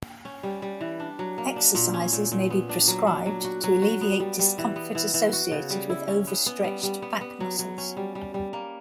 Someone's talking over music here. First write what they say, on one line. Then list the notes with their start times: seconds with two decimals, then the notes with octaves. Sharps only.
Exercises may be prescribed to alleviate discomfort associated with overstretched back muscles.
0.25 C#4
0.43 G3
0.62 G3
0.81 E3
1.00 D4
1.19 F#3
1.38 A#3
1.56 D4
1.75 A#2
1.94 C#4
2.13 A#2
2.32 A#2
2.50 B3
2.69 D4
2.88 F#3
3.07 D4
3.26 F#3
3.44 F#4
3.64 F#3
3.82 F#4
4.01 B3
4.20 G3
4.39 G3
4.58 E3
4.76 B3
4.95 E3
5.14 E3
5.33 F#4
5.51 C#3
5.70 G3
5.90 E4
6.08 C#4
6.27 B3
6.46 B3
6.64 G3
6.83 G3
7.02 B3
7.21 B3
7.40 F#3
7.59 F#3
7.78 C#4
7.97 G3
8.15 G3
8.34 G3
8.53 A#3